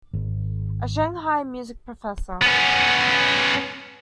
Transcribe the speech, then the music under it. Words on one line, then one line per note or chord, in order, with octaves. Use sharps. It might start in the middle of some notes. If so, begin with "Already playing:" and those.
A Shanghai music professor.
G#1
B3 C#4